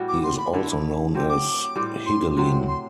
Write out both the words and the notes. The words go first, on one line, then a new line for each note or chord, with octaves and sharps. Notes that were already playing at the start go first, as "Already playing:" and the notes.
He is also known as Higelin.
Already playing: A2 G3 B3 F#4
D6
C6
B5
D3 A3 E4
F#3 C4 G4
D6
A2 G3 C4
C6
C3 F#3 C4 C6
C6